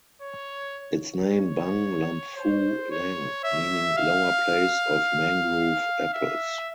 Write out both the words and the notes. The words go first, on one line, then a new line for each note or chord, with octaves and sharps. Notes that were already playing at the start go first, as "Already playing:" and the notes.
Its name "Bang Lamphu Lang" meaning "lower place of mangrove apples".
C#5
C#5
C5
C#5
E5
F5
E5